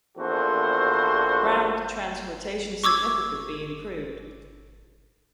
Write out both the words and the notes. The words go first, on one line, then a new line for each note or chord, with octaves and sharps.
Ground transportation significantly improved.
A#1 E2 F#4 A4 C5
C#6 D6 E6 G#6